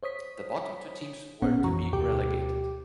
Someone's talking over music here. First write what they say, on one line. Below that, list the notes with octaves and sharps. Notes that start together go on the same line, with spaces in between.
The bottom two teams were to be relegated.
C5 C#5 D#6 B6
A#1 A#2 B3 C#4 C#5 F#5
F2 E3 F#4 A#5 C#6
D2 B2 G4 G5 D6